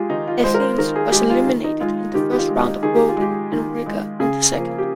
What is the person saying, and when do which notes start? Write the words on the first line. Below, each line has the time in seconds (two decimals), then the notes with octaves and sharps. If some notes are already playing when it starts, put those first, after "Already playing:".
Athens was eliminated in the first round of voting and Riga in the second.
Already playing: G#3 F4 G4 G#4
0.10 D#3 D#4
0.28 F4
0.43 G#3 C5
0.54 A#4
0.61 C5
0.78 D#3 A#4
0.96 G#4
1.12 G#3 G4
1.30 F4
1.47 D#3
1.64 D#4
1.80 G#3 F4
2.14 D#3 G4
2.32 G4
2.38 F4
2.48 G#3
2.60 D#4
2.83 D#3 G#4
2.96 G4
3.09 F4
3.17 G#3 G4
3.52 D#3
3.86 G#3
4.20 C#3 G#4
4.53 F3 A#3
4.78 G4